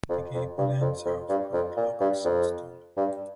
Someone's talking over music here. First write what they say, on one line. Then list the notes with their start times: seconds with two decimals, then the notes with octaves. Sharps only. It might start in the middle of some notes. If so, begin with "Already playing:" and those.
The gable ends are of crude local sandstone.
0.09 F2
0.34 F2
0.58 G2
0.81 F2
1.05 F2
1.29 G2
1.53 F2
1.77 A#2
2.01 G2
2.25 F2
2.97 G2